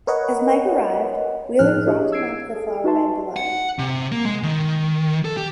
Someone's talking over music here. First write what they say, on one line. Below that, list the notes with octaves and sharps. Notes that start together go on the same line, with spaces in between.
As Mike arrived, Wheeler dropped him onto the flowerbed below.
A#4 B4 C#5 D#5 F#5
A2 F3 D#4 G#4 F6 F#6
D4 E4 G4 G#4 C#5 D#5
E6 G#6 C7 D7
G#4 A4
D#4 F#4 B4 E5 A5 C6
F#5
C3
A#3
G#3
D#3
A4
G4